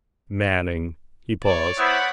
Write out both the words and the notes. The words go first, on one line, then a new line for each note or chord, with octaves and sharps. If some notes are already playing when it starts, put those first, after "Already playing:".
"Manning." He paused.
C#5 D5
B3 E4 C5 F#5 B5